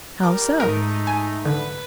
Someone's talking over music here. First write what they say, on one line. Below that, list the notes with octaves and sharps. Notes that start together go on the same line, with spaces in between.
"How so?"
G3 A#4 D6
G#2 A3 D#4 A#4
G#5
D3 B4